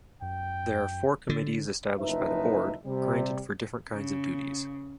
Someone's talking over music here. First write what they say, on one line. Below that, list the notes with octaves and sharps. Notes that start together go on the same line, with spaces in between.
There are four committees established by the Board, granted for different kinds of duties.
F#2 G5
D3
F#1 F3 D#4 B4 E5
C3 G3
C#3